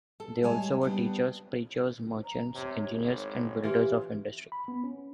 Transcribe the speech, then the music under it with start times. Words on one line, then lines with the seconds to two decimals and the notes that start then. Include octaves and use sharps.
They also were teachers, preachers, merchants, engineers, and builders of industry.
0.20 A4
0.43 A2 G3 G#3 C#5 G#5 A5
0.81 G3 B3 D4
2.23 A#5
2.55 C3 C#5
2.89 G#1
3.64 E3 F4 G4
4.52 B5
4.68 B3
4.84 C#4